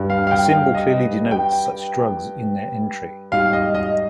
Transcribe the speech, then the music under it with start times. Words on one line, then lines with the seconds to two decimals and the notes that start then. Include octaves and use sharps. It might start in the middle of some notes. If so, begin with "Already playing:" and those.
A symbol clearly denotes such drugs in their entry.
Already playing: G2 G3
0.10 F5
0.27 F5
0.31 G5
0.53 F5
0.75 D#5
1.31 G5
3.32 G#2 G3 F5
3.53 D#5
3.74 D#5